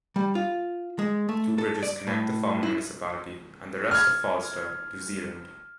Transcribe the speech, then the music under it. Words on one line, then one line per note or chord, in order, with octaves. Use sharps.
Two bridges connect the former municipality, and the rest of Falster, to Zealand.
G3
F4
G#3
A3
A4
D5
A2
E4
F6 G#6